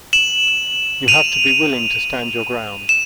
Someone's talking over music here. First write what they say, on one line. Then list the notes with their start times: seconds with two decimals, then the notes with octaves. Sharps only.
You have to be willing to stand your ground.
0.13 E7 F#7
1.08 D#7 F7
2.89 E7